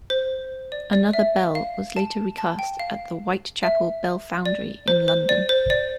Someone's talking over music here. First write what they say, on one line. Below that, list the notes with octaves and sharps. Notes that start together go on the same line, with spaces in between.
Another bell was later recast at the Whitechapel Bell Foundry in London.
C5
D5
D5
E5
F5
A5
A5
G5
F5
E5
D5
C5
C5
D5
C5
D5